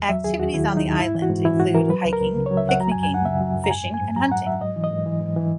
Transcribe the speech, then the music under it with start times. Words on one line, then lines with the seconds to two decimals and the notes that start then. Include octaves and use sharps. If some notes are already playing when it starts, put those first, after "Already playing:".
Activities on the island include hiking, picnicking, fishing, and hunting.
Already playing: E2
0.09 F#3 E5
0.24 D#2 G#4
0.39 D#2 F#4
0.54 D#3 E4
0.70 F#3
0.77 D#4
0.84 D#2
0.99 G#2 E4
1.15 E3
1.22 F#4
1.30 G#2
1.45 E3 E4
1.60 G#2 F#4
1.75 E3 A#4
1.89 F#3 B4
2.05 C#2
2.13 A#4
2.21 C#2
2.35 C#3
2.46 C#5
2.51 F#3
2.57 E5
2.65 C#2 F#5
2.80 F#3 A#5
2.92 G#5
2.95 F#2
3.03 G#5
3.11 F#2 F#5
3.25 C#3 E5
3.40 F#3
3.56 F#2
3.64 A#5
3.71 G#2 G#5
3.85 F#3
3.94 G#5
4.01 G#2
4.16 F#3 A#5
4.31 G#2 F#5
4.46 F#3 E5
4.61 G#2 D#5
4.76 E3
4.84 D#5
4.91 G#2
5.06 E3
5.21 G#2
5.36 E3